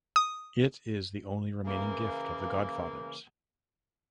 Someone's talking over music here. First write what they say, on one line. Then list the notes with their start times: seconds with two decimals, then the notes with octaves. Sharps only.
It is the only remaining gift of the godfathers.
0.16 D#6
1.65 C#3 E3 A#3